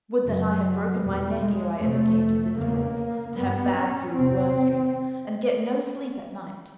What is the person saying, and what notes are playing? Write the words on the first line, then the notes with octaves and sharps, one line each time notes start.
Would that I had broken my neck ere I ever came to this place, to have bad food, worse drink, and get no sleep at night!
F#2 C#3 F#3
E2 B2 G3
G#3
F2 C3 A3
E2 C#3 A#3
G2 B3
C#4
E2 C3 C4